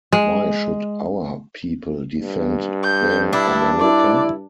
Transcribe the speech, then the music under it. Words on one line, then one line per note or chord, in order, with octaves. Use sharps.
Why should "our" people defend "their" America?
G#3
G2
G6
D4 E4
E4 D5